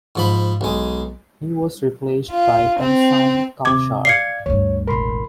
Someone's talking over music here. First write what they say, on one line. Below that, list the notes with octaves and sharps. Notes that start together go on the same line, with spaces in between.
He was replaced by Ensign Cauchard.
G#2 F3 B5
B1 G#3
F4
C4
D#2 C3 D6 G#6
D5 F5 G#6 C7 C#7
D2 G2 C#5
E1 A1 A#4 B5 C6